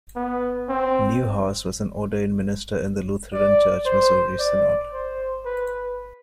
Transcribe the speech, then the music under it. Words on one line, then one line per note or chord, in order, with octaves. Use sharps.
Neuhaus was an ordained minister in the Lutheran Church-Missouri Synod.
B3
C4
D5
C5
D5
C5
B4